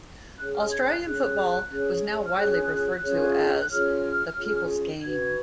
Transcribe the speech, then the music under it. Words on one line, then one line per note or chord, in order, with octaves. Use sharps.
Australian football was now widely referred to as "the people's game".
C#4 G#4 C#5 F#6
F6
G#6
F#6
C#4 G#4 C#5
C#4 G#4 C#5
F6
C#4 F4 G#4 C#5 F#6
C#4 F4 G#4 C#5
F#6
C#4 F4 G#4 C#5 F6
C#4 F4 G#4 C#5
F#4 B4 G#6